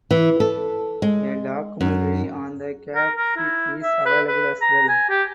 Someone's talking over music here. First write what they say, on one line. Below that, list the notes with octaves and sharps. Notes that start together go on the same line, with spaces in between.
A documentary on the cafe is available as well.
E3
A4
G#3
F#2
A#4
A#4
E4
E5
B4
B4
A#5
G#5
G4